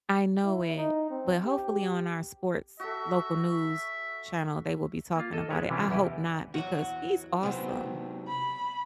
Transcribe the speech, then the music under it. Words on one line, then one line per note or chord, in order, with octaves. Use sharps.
I know it. But hopefully on our sports local news channel, they will be talking about it. I hope not because he's awesome.
E4
D#4
C4
G4
F#4 A4 E5
A#3 F4
A4 D#5
G#3 G4 B4 C#5
C3 E3 C#4 E4 F4 G4
E2 E4 G4 D#5 F#5
E2 F#3 F#4
C3 F#3 B3 C4
B5